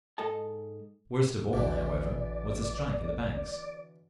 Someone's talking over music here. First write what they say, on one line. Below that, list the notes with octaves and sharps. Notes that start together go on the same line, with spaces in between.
Worst of all, however, was the strike in the banks.
G#2 A4 D#5 A5
A1 B2 D3 E3 D5